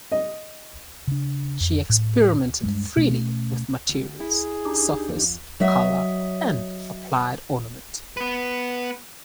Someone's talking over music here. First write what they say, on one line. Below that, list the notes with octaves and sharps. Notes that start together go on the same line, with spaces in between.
She experimented freely with materials, surface, color and applied ornament.
D#5
C#3 D4
F2
A2
G2 G#3
B2 A3 C#4
D2
E4 G#4
D4 D#4 G4
F2
F#3 D#5 E5
B3 B4